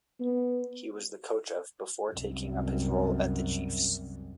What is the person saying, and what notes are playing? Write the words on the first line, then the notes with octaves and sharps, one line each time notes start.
He was the coach of before taking up his role at the Chiefs.
B3
C2 F#2